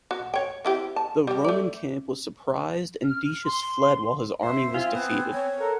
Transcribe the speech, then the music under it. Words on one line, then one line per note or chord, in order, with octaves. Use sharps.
The Roman camp was surprised and Decius fled while his army was defeated.
F#4
C#5 G5
C4 E4 G4
A5
G3 G4
A3 D5
F6
C6
C5 E5
C4 F4 F5 G#5
B3 C5 D#6
C#5
A4 A#4 F#5